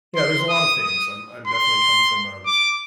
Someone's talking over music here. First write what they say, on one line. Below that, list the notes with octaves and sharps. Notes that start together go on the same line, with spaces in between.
Yeah, there's a lotta things. I'm I'm definitely come from a
C6
D#6
D#6
C6
D6